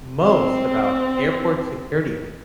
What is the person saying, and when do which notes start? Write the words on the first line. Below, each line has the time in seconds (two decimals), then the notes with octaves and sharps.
most about airport security line?
0.22 C4